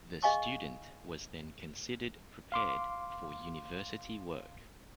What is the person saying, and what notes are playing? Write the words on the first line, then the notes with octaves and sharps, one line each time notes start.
The student was then considered prepared for university work.
G#4 D#5 F5 G#5 C#6 D6
F5 C6 D6